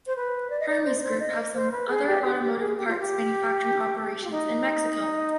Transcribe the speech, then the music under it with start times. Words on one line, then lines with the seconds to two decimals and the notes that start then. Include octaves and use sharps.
Hermes-Group have some other automotive parts manufacturing operations in Mexico.
0.06 C5
0.16 B4
0.50 D5
0.60 D#5
0.68 D5
0.85 C5
1.01 C5
1.20 D#5
1.53 C5
1.71 B4
1.88 G#4
2.06 G4
2.23 G4
2.41 G4
2.58 G#4
2.76 G4
2.87 F4
2.99 G4
4.24 F4
4.31 D#4